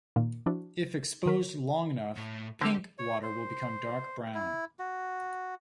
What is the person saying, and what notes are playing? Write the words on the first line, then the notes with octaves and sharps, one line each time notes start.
If exposed long enough, "pink" water will become dark brown.
A#2 D#3 A#3
F3 D4 E4 F#4
D#3 A#4 B6
A2
D3 A#3 C4 G4
C#5
C5
E4
F#4